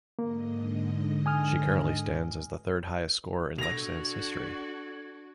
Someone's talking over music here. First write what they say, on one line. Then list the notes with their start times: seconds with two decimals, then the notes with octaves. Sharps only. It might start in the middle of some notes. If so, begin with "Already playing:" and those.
She currently stands as the third highest scorer in Leksands history.
0.19 G#2 D3 A#3 D#5
1.26 G#5 D#6 F6
3.58 B2 D4 F#4 A4 D6 G#6 A#6 F7